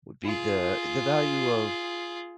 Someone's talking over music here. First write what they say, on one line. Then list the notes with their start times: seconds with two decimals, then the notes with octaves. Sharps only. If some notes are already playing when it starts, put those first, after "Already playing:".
would be the, the value of
0.24 F4 G#4